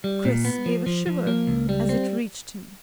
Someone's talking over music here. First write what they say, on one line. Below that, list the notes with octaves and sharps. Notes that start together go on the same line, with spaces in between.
Chris gave a shiver as it reached him.
G3
A#2
B3
F3
F3
F3
A#3
C#2
G3
C4